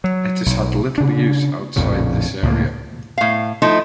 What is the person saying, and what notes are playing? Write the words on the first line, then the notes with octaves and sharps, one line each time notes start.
It has had little use outside this area.
F#3
B1
C#3 D4
A#1 F2 A2 C#3
C#2 A2 F#3 A#3
A2 F5
F3 A3 D#4 E4